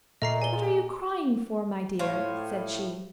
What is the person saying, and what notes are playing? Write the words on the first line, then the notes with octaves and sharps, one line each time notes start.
'What are you crying for, my dear?' said she.
A#2 A3 D#5 A#5 C7
E2 G#5 G7
G#4
A2 F4 C5 C#5